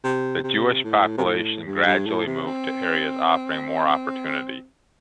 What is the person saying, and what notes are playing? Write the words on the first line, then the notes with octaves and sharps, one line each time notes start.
The Jewish population gradually moved to areas offering more opportunity.
C3
C3
A2
C3
A2
G2
G2
A2
C3
C4